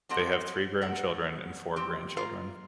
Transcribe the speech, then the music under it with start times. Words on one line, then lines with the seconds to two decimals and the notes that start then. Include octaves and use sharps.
They have three grown children and four grandchildren.
0.09 F#3 G3 C4 A4 D#5 F#5
0.81 A4 A#4 F#5
1.76 F3 C4 G4
2.16 F4 F5 A#5